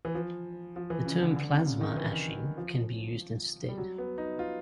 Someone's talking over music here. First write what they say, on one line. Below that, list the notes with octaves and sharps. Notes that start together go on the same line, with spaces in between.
The term plasma ashing can be used instead.
E3
F3
F3
E3
C#3
D3
D3
C3
C#3
D#3
E3
F3
G3
F#3
B3
D#4
F4